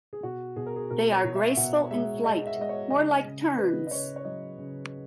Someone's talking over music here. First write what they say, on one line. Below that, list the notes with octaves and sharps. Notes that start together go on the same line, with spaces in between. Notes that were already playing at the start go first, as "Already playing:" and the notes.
They are graceful in flight, more like terns.
G#4
B2 F#4
B2 G#4
A#4
G#4
B2 A#4
C#5
B2
E5
E5
B2 F#5
G#3 E5
G#3 D#5
E5
G#3 D#5
C#5
C#3 D#5
C#3
C#3 B4
D#5
C#3 C#5
C#5
F#3 D#5
C#3